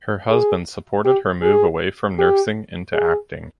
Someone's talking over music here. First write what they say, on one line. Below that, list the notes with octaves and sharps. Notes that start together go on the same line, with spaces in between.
Her husband supported her move away from nursing into acting.
G#4
G4
G#4
G4
G#4